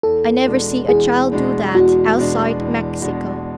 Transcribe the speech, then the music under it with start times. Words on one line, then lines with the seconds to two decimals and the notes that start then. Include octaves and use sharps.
I never see a child do that, outside Mexico.
0.03 E2 A4
0.46 B2 G#3 D4
0.89 E2 G#4
1.32 B2 G#3 D4
1.75 E2 F#4
2.17 B2 G#3 D4
2.60 E2
3.02 B2 G#3 D4